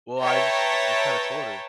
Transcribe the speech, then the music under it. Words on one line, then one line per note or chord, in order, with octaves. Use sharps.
Well, I just just kinda told her
B4 C#5 E5 G5 A5 A#5